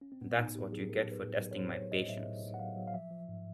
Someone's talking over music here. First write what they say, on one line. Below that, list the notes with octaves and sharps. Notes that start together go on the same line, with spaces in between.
Thatâs what you get for testing my patience.
C#4
C4
A2 B3
A2 D#4
A2 G4
F#3 G#4
A2 A#4
A2
B4
A2
F#3
C#5
F#3 C5
A2 C#5
A2 D#5
A2 E5
A2
A2
F#5
F#3 F5
F#3
F5
F3 E5
F3
G#2